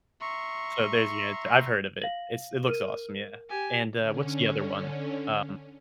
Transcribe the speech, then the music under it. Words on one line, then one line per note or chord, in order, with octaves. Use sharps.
So, there's your answer, I've heard of it. It's it looks awesome, yeah. And, uh, what's the other one? Um
E5 A#5 C6 C#6
F5 A#6 F#7
A#4 F6 D#7
G4 G#5
D3 C#4